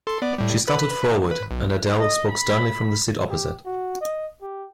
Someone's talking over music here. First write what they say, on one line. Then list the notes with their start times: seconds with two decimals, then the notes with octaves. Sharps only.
She started forward, and Adele spoke sternly from the seat opposite.
0.07 A4 C6
0.22 B3 D5
0.38 A2 G3
0.68 B4 B5
1.31 B4
1.51 B1
2.00 D#5
2.31 B5
3.30 G4
3.65 F#4
4.01 D#5
4.42 G4